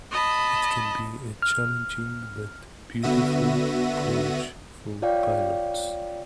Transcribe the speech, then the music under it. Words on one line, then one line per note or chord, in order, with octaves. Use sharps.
It can be a challenging but beautiful approach for pilots.
D#5 A5 B5
F6
D3 B3 F#4 E5 A#6 D#7
F4 C#5 D5 F5 G5